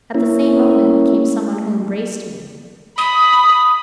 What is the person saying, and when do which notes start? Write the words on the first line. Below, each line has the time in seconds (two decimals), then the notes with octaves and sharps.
At the same moment came someone who embraced me.'
0.15 A#3 C#4 E4
2.98 B5 D#6